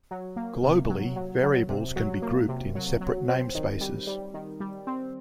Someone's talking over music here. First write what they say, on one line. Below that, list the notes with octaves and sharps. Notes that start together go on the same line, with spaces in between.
Globally, variables can be grouped in separate namespaces.
F#3
A#3
C3
F#3
F#3
F#3
C3
F#3
A#3
C3
F#3
F#3
C4
D#3
G3
G3
D#3
G3
C4